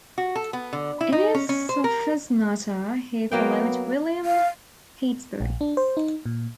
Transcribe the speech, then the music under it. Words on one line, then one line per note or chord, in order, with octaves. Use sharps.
In his "Sophismata," he followed William Heytesbury.
F#4
A4
B3
D3
E4
D#4
C#4
C#4
C5
A#4
F#3 A#3 B3 G5
F5
A#1
D4
C5
D#4
A#2